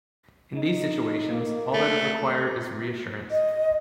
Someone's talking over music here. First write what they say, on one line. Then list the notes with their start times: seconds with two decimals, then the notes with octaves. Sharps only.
In these situations, all that is required is re-assurance.
0.55 D#4
1.31 A#3
1.74 A3
3.31 D#5